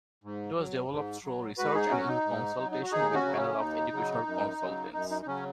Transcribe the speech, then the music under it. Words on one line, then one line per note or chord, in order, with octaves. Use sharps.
It was developed through research and in consultation with a panel of educational consultants.
G#2
F#3
G#2
F#3
G#2 F#4 B4
D#4 G#4
F#3 C#4 F#4
D#4
G#2
F#3
D#4
F#4
D#2 D#4 G#4
C#4 F#4
C#3 F#3
C#4
D#2 D#4
C#3 F#3
F#2
C#3 F#3
F#2 D#4
D#4
D#4
C#3 F#3 C#4